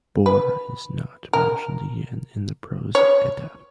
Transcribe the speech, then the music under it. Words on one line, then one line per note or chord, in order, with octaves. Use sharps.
Borr is not mentioned again in the "Prose Edda".
B4
A#4
C#5